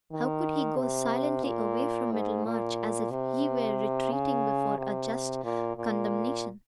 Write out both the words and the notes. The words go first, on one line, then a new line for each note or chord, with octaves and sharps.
How could he go silently away from Middlemarch as if he were retreating before a just condemnation?
D#3
C3
A#2
G#2
A#2
C3
C#3
C3
A#2
A#2